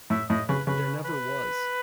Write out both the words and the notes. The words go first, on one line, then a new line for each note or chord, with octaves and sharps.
There never was...
A2 E5
A2 D#5
C#3 B4
C#3 B4
B4